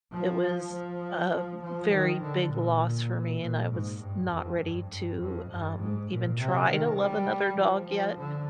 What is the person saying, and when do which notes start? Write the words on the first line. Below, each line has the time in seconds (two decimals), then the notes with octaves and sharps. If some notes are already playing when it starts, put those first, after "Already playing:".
it was a very big loss for me, and I was not ready to, um, even try to love another dog yet.
0.13 F3
0.73 F3
1.32 F3
1.61 F3
1.91 D#3
2.22 D3
2.52 A#2
3.40 A#2
3.71 G#2
4.00 G2
4.31 F2
4.60 G2
4.90 G2
5.19 F2
5.50 G2
5.80 G#2
6.10 A#2
6.39 C3
6.69 D#3
6.99 G3
7.58 F3
7.88 F3
8.19 D3